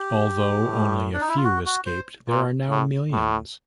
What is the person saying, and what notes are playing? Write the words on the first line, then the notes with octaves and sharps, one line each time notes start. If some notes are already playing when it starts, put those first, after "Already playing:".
Although only a few escaped, there are now millions.
Already playing: G4
A2
D4
D#4
E4
F4
F#4
F#4
C5
A#2
A2
A2